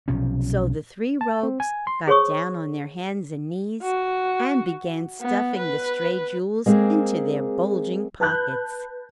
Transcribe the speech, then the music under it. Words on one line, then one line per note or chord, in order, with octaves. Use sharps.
So the three rogues got down on their hands and knees and began stuffing the stray jewels into their bulging pockets.
B1 C3 F3 C#4
A5
C4
G#5
C6
G#4 C5 C#5 C6 C#6 D#6
F#4
B3
B4
G#3 A#3 C4 G#4
B4 A5 B5 F#6 G6